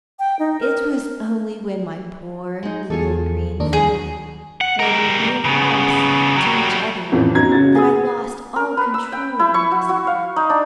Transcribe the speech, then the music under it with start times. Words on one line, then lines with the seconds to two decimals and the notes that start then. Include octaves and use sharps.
It was only when my poor little green flag had revealed us to each other that I lost all control over myself.
0.19 G5
0.39 D#4
0.60 A#4
2.63 G#3 D#4
2.90 E2 F4 G#4 A4
3.60 D#2 D4 A#4
3.73 E2 B2 E3 G#4
4.61 F#5
4.80 G3 A#4
5.45 C#3 B3
6.36 F#3 G3
7.12 A1 F2 E3 F3
7.35 F#2 B3 D#4 F#4 A#5 G#6
7.52 C#3 F#4 A6
7.75 G#4 D#6
8.56 A#4
8.77 B4
8.94 E6
9.12 G5
9.39 E4
9.54 C#6
9.72 F#4
9.89 F#4
10.07 F5
10.36 D#4
10.50 D4